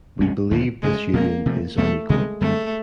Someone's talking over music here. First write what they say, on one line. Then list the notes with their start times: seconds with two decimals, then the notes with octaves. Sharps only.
We believe this union is unequal.
0.20 C2 B2 G#3 C#4
0.51 D#2 D3 F3
0.83 D2 C#3 F3 G#3 A3
1.14 B2 G#3 A#3 C#4
1.46 C3 F3 A3
1.77 E2 B2 G3 A3 A#3
2.10 C3 D#3 G3 G#3 C4
2.41 F#2 D3 G3 A3 C4